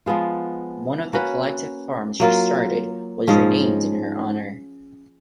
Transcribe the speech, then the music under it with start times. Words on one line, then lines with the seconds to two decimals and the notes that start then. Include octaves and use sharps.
One of the collective farms she started was renamed in her honor.
0.06 F3 G#3 B3 F4
1.13 A#3 C#4 F#4 B4
2.20 F#3 A#3 F4 A#4
3.28 G#2 F3 G#3 C#4